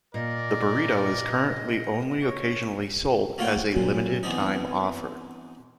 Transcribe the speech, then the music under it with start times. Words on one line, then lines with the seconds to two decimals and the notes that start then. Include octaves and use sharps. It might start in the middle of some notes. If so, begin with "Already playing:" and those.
The burrito is currently only occasionally sold, as a "limited time offer".
0.14 A#2 A#4 D5 D#5
2.22 C#5
3.38 A3 A#3 F4 C#5 F#5 G5
3.73 F#2 A#2
4.23 E3 B3 C4 D4 D#4